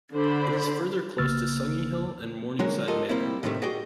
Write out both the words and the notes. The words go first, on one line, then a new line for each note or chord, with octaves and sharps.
It is further close to Sunninghill and Morningside Manor.
D3 D4 C5 B5
A#1 C#3 A#3 E6 F6 A6
D3 F#3 G#3 A#3 F#4 A#4
F4 G4 A4 A#4 D#5
G3 A#3 C4 E4
A2 C3 D#3 F3 G3 A3
F#4 G#4 D5 D#5 G5